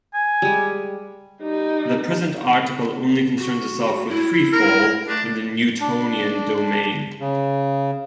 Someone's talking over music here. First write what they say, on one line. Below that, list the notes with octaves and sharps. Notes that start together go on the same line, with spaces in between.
The present article only concerns itself with free fall in the Newtonian domain.
G#5
G3 G#3
G3 D#4
F#4
E4
A#4
A3 D4
D4
C#3